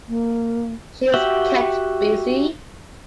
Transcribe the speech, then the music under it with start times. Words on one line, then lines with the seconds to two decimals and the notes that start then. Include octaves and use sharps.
She was kept busy.
0.08 A#3
1.14 F#4 G4 E5 F#5 G5